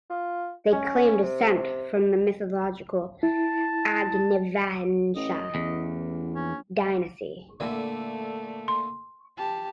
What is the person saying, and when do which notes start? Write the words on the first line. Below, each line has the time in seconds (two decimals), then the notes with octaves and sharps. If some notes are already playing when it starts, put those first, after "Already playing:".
They claim descent from the mythological Agnivansha dynasty.
0.10 F4
0.73 C#4
1.22 C3
3.23 E4 A5
5.16 A1 D#5
5.55 A1 E2
6.36 A#1 C#4
7.60 A#2 D3 A3 E4
8.68 C6
9.37 G4 A5